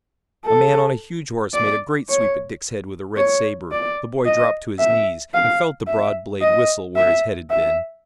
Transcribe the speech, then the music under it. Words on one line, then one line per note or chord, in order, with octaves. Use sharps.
A man on a huge horse made a great sweep at Dick's head with a red saber. The boy dropped to his knees, and felt the broad blade whistle where his head had been.
A4
D5
C#5
C#5
D5
D#5
E5
F5
E5
D#5
E5
E5